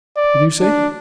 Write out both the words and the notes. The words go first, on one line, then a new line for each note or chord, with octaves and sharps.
"What did you say?"
D5
D4